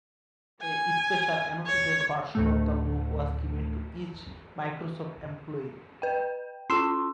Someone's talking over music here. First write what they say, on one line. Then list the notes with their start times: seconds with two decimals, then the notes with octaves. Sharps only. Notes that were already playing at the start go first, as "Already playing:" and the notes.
A special annotated version of the book was given to each Microsoft employee.
0.62 G#5
1.66 C#5
2.35 D2 A2 A3
6.02 B4 G5
6.70 C#4 F4 C6 E6